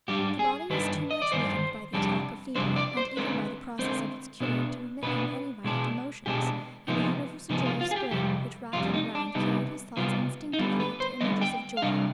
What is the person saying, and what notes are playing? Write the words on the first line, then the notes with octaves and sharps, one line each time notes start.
The body was too much weakened by the attack of fever, and even by the process of its cure, to permit him any violent emotions, and the universal joy of spring which wrapped him round carried his thoughts instinctively to images of joy.
G#2 G3 D4 G4
G#4
G2 D#3 D4 B4
D#5
D5
G2 D#3 C5
F2 C3 G3 D4
F2 C3 G3 D4 C5
D5
C5
D3 G#3 C4 B4
D3 G#3 C4 C5
B2 B3 D4
B2 B3 D4 B4
B2 G#3 D4
B2 G#3 D4 G4
C3 F3 G#3 B3 D#4
C3 F3 G#3 B3 D#4
F4
F4
G#4
G4
F2 C3 G3 G4
F2 C3 G3 F4
D4
D#4
D4
C3 G3 B3 D#4
C3 G3 B3 F4
D#4
D3 G3 B3 F4
B4
C5
D3 G3 B3 D#5
G5
F5
C3 G3 D4 D#5